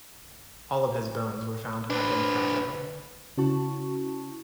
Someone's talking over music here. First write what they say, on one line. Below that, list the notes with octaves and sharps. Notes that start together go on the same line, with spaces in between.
All of his bones were found to have been fragile.
D4 B4 C5
C#3 C#4 E4 F#4 A5 C#6